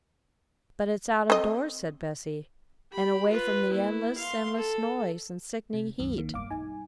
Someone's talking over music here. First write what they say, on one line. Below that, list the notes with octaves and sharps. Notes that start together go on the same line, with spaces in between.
'But it's out of doors,' said Bessy. 'And away from the endless, endless noise, and sickening heat.'
C4 A4 D#5
G4 B5
F4 B4
A#3 E4
F5 C6
A4
C3
C2 F#2 D#3 F4
D#3 A#3
E1 G2 G3 F5 D6
B1 G3 D#4 G#5